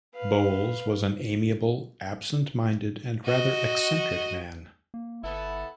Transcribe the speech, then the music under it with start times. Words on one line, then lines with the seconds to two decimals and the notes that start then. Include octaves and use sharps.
Bowles was an amiable, absent-minded, and rather eccentric man.
0.14 B4 F5
3.25 F#4 D#5
4.94 A#3
5.23 G1 B3 E4 A4